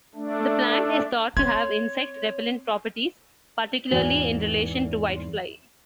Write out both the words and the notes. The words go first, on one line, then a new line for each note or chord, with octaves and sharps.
The plant is thought to have insect repellent properties, particularly in relation to whitefly.
A3 D4
C4 C#5 C6 D6 G#6
E2 G#2 E3 B3 C4 F#4